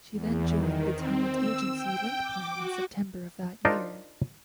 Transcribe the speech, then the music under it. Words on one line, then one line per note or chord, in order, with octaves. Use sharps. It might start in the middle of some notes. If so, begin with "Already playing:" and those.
She then joined the talent agency Link Plan in September of that year.
E2
D#3
C4
E6
G5
D6
F#4
D4 D#4 F4 A#4 C5